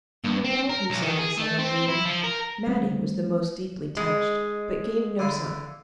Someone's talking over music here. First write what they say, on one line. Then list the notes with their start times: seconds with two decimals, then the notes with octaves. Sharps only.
And, of all who saw the summer wooing, Mattie was the most deeply touched, but gave no sign.
0.24 G2
0.44 C4
0.69 A#4
0.90 B1
1.02 D#3
1.18 G#4
1.37 A3
1.58 C4
1.88 E4
2.05 F3
2.24 A#4
2.67 G3 A3 C4
3.97 G#3 D#4
5.19 D3 E4 F5